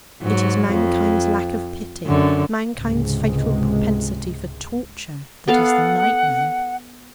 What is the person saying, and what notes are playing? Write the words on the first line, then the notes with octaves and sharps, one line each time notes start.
It is mankind's lack of pity, mankind's fatal propensity for torture, that is the nightmare.
G#2 F#3
F2
F#2 D3
C#2 G#2 C3 G#3
B3 A4 F5 F#5